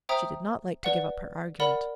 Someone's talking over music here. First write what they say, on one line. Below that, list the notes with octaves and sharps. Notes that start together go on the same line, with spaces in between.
She did not like to give up her argument.
C5 E5 G5 A#5 D#6
B4 D5 F#5
A#4 D5 F#5 B5